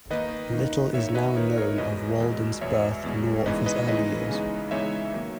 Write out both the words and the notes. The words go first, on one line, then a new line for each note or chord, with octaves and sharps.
Little is now known of Walden's birth nor of his early years.
D#3 A#3 D#4 B4 D#5
D#3 A#3 D#4
D#3 A#3 D#4 C#5 E5
B4 D#5
D#3 A#3 D#4 A#4 C#5
A#4 C#5
E2 B2 G#3 B4 D#5
E2 B2 G#3
E2 B2 G#3 C#5 E5
E2 B2 G#3
C#3 E3 G#3 B3 D#4 B4 D#5
B4 D#5
C#3 E3 G#3 B3 D#4 B4 D#5
C#3 E3 G#3 B3 D#4
C#3 E3 G#3 B3 D#4 C#5 E5
D#3 F#3 A#3